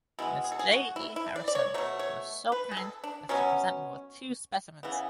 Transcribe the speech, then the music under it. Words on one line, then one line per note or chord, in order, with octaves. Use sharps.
Miss J. E. Harrison was so kind as to present me with two specimens.
B2 G#3 B3 E4
G#4
A4
G#4
F#4
E4
E4
D5
D5
C#5
B2 F#3 A3 C#5
C#5
B4
G#4
A4
D4
B2 F#3 B3 C#4
C#3 E3 B3